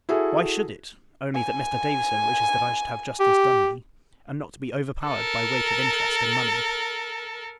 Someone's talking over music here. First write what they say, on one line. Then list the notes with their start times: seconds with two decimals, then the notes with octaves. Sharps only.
Why should it? only that Mr. Davison wishes that I should have justice done me, and not to be overpowered by weight of interest and money.
0.09 E4 F#4 G#4 A4
1.34 G#5
3.20 G4
5.06 A4 A#4